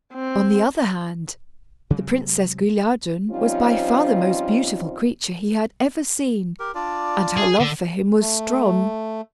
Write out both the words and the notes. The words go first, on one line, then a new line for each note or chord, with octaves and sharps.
On the other hand, the Princess Guilliadun was by far the most beautiful creature he had ever seen, and her love for him was strong.
C4
C3 F#3 G#3 C4
F3 G3 C4 C#4 D#4 F4
G4 A#4
D4 F4 D5
G#4
D3
A3